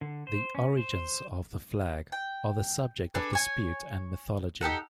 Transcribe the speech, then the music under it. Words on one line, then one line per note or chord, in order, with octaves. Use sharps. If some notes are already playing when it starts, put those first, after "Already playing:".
The origins of the flag are the subject of dispute and mythology.
D3
C5
C#4
C5
G5
D4 G#4 A4 B4
C#5 G#5
D#4 G4 A4 F#5